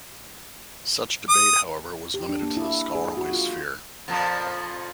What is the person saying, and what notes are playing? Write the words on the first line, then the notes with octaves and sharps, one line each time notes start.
Such debate, however, was limited to the scholarly sphere.
D#6
G4
D4
A#3
E4
G#4
F#4
F4
F2 A#2 F3